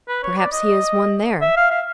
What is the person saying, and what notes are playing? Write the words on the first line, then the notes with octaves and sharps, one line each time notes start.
Perhaps he has won there.
B4
C#5
D5
D#5
E5
F5
F5